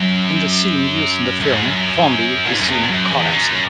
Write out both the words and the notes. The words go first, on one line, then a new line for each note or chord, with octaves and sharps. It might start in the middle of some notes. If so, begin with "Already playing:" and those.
In the scene used in the film, Formby is seen collapsing.
Already playing: F#2
F#2
G#2
F#2
A#2
G#2
F#2
E2
G#2
F#2
E2
F#2